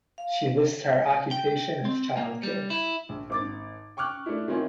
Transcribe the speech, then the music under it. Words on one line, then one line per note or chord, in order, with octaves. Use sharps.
She lists her occupation as child care.
F5
G5
C4
A#3
G3
E4
A#1
G#1 D6 A6
G5 C#6 D6 F6 F#6
A3 D4 E4
D#3 A#3 C4 C#4 E4 F4